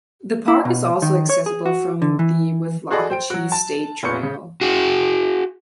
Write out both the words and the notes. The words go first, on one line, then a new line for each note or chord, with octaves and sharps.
The park is also accessible from the Withlacoochee State Trail.
E4
B2
D#3
C#5
G#4
F#4
D3
E3
F#4 G#4 A4 D5 D#5
C5 G5 D7
F#3 F#4
A5
F1 A#2 B3 C#6 G6 C#7
C#3
F#4 G#4